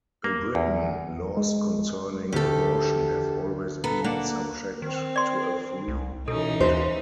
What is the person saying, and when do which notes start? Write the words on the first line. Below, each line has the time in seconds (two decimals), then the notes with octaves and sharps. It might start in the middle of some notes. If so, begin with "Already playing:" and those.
In Britain, laws concerning abortion have always been subject to a free vote.
0.24 A#3
0.55 E2
1.37 G#3
2.32 D2 G4 A4
3.84 B3 A4 A#5
4.04 A#3 D4 F#5 A5
4.82 D#3 C4
5.16 D5 C6
5.88 C2
6.28 B2 E3 C#4 D#4 A4
6.60 D#2 C5